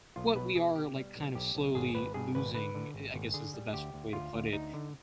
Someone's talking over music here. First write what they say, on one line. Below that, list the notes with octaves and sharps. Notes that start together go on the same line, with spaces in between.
what we are, like, kind of slowly losing, eh I guess is the best way to put it,
B1 F4
B2 B4
B2 G#4
B2 G4
G3
B1
B1 G4
B1
G#1 G#4
G#1 B4
G2 G#4
G#1 B4
D3 B4
D3
G#1
G#1
D3 G#4
G3
D2 G4
D2
D2 F4
D2
D2 D#4
D3